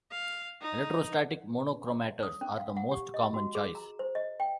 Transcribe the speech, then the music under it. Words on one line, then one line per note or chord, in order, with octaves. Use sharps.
Electrostatic monochromators are the most common choice.
F5
D#4
D#6
C#4
F5
F#5
G4
D#5
F#4
G#4
A#5
C5
D#5
G5